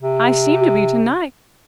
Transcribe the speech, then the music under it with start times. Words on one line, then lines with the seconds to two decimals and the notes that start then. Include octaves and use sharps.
'I seem to be to-night.
0.02 C3